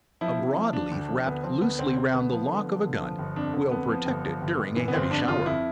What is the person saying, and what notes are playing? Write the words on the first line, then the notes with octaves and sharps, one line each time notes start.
A broad leaf wrapped loosely round the lock of a gun, will protect it during a heavy shower.
F3 E4
C3
F3
F3 D4
D2
F3
D2 B3
F3 C4
D2 B3
D2 C4
C3 C4
D2 B3
F3
D3
F3
D3
F3
G1
F2 D4
D3
F2 B3
F3
G1
F3
G1
G1
E3
B3
G1 C4
F2 D4
G1 F4
F2 E4